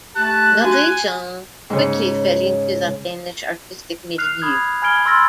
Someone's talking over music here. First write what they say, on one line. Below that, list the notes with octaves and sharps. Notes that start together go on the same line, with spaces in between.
Marie Jeanne quickly fell into the Danish artistic milieu.
A3 G4 A5 F#6
F#4 G#5
G#2 C#3
F6 F#6 C7 F7
B5 D#6 G#6
G#5 B5 F6 G#6 D7 G7
B5 C6 E6 F6 A6 A#6